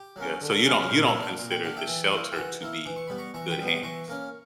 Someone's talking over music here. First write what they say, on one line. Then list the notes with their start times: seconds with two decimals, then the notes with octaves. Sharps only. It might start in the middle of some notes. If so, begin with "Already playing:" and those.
Yeah, so you don't you don't consider the shelter to be good hands?
Already playing: G4
0.16 F#3 A#3 C#4
0.41 D3
0.65 F#3 A#3 C#4
0.82 A#4
0.89 A#2 G4
1.06 C#5 E5
1.14 A#3 D4
1.22 D5 F#5
1.38 A#2 A#5
1.51 G5
1.63 A#3 D4 F#5
1.76 E5 G5
1.87 E3
2.12 A#3 E4
2.32 G5
2.36 E3 F#5 A#5
2.61 A#3 E4
2.86 E3 D6
2.96 C#6
3.07 G3 B3 B5
3.18 A#5 C#6
3.34 E3 A#5 C#6
3.50 G5 B5
3.58 G3 B3
3.67 A#5 C#6
3.76 D6
3.83 E3 A#5 C#6
4.08 A#3 C#4